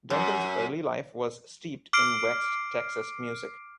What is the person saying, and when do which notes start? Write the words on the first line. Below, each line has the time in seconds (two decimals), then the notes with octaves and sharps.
Duncan's early life was steeped in West Texas music.
0.10 F#2
1.93 D6 F6 C7 D7